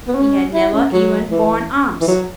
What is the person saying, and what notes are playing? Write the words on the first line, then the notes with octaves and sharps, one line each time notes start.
He had never even borne arms.
B3
C#4
E4
C#4
F#3
E3
E3
F#3